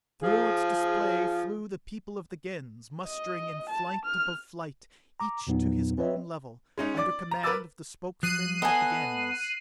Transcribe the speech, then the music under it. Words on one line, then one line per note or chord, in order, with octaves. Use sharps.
Through its display flew the people of the Gens, mustering in flight above flight, each to his own level, under command of the Spokesmen of the Gens.
F3 G#4
D#5
A5
F6
A#5 D6
E2 A#2 F#3 B3 D#4
C4 B4 C#5 D#5 E5
G#3 C#4 D#4
D5 D6
A#5
A#4 B4 B5 D6 E6 A6
F3 F#6 C7 D#7
B3 A4 D#5 F#5 G#5